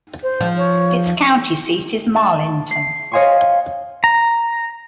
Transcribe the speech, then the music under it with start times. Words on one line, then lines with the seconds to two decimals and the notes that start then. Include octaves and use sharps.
Its county seat is Marlinton.
0.23 C5
0.41 F3
0.57 C#5
2.16 A5
2.71 C7
3.12 C#5 D#5 F5 G#5 C6 C#6
4.04 A#5